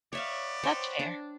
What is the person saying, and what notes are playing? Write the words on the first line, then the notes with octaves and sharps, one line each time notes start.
That's fair.
B3 C#5 D5 E5 F5
C5 C#5 G5
D4